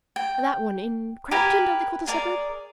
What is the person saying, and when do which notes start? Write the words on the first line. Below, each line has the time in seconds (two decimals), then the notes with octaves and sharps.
That one,--in Crampton, don't they call the suburb?
0.16 G5
1.31 G4 A#4 B4 G#5
2.07 G#4 A#4 D5